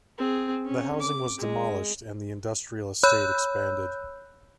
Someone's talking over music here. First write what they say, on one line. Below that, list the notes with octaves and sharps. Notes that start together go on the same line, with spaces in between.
The housing was demolished and the industrial estate expanded.
C4 G#4
C#4
D6
G#3
C#5 B5 E6 F#6 G6